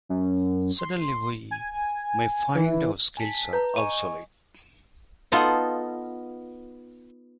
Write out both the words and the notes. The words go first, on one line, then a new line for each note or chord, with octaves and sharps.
Suddenly we may find our skills are obsolete.
F#2
C6
G#5
E3
G#5 A5 B6
B4 A5 A#5 G6
D#5 G#5 C#6 D#7
B3 D#4 F4 A4 D#5 F#5